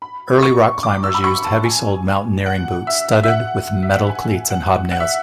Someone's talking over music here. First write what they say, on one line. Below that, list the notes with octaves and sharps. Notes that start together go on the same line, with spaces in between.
Early rock climbers used heavy-soled mountaineering boots studded with metal cleats and hobnails.
B5
C#6
D6
E6
B5
C#6
A5
G#5
F#5
E5
E5
F#5
E5
F#5
G#5
F#5
F#5
E5